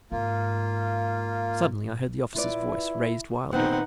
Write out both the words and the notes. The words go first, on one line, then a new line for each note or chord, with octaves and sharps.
Suddenly I heard the officer's voice raised wildly.
G#2 A#3 F4
E4 F4 B4 D5
A#2 D#3 B3 C4 D#4 B4 F#5